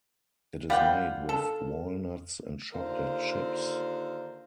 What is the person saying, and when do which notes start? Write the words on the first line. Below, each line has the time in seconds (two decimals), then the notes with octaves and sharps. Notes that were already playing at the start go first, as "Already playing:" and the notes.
It is made with walnuts and chocolate chips.
0.70 G3 F4 F#5 G5
1.29 A4
2.73 D#2 D3 F4 A#4 C5